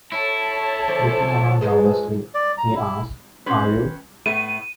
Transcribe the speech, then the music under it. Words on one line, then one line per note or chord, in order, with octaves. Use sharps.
Looking around nervously, he asks, Are you...
E4 A4 C#5 A5
D3 F3 C5
F2 G#3 G#4 B4
D5
A#5
E4
C4 C#4 B4
A2 A3 B3 D#7